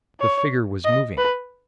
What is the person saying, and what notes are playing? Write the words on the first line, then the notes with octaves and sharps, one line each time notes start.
The figure was moving.
C#5
D#5
B4